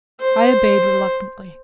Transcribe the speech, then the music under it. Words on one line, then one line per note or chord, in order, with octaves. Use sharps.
I obeyed reluctantly.
C5